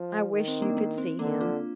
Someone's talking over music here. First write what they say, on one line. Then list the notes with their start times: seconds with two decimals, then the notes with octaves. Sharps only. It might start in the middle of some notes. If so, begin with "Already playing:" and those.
I wish you could see him!
Already playing: F3
0.33 D#3
0.48 C4
0.62 A#3 D4
0.77 A#3
0.98 C4
1.19 D3 A#3 D4
1.41 D4 F4